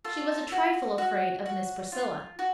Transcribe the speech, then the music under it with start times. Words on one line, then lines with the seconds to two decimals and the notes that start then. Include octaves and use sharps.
She was a trifle afraid of Miss Priscilla.
0.05 F4 A4
0.52 F#4
0.98 F#4
1.46 F#4
1.92 F4
2.39 F#4